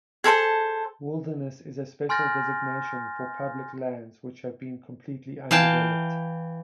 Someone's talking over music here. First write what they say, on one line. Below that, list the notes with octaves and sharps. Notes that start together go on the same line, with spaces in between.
Wilderness is a special designation for public lands which have been completely undeveloped.
G#4 A4 C5 A5
G#5 C6 F6 G6 A6 A#6
E3 F5 G5 A5